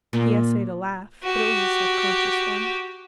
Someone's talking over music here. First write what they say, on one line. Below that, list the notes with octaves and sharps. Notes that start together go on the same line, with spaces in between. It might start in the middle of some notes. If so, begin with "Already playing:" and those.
He essayed a laugh, but it was a self-conscious one.
A#2
F#4 G4